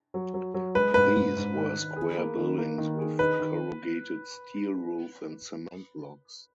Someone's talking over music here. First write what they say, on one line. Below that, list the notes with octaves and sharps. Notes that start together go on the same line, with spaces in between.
These were square buildings with corrugated steel roof and cement blocks.
F#3
F#3
F#3
G#3 B4
G#2 B4
G#2
G#2
D#3
D#3
G#4
A#3
D#3
A#3
D#3
G#4
D#4 B4
D#3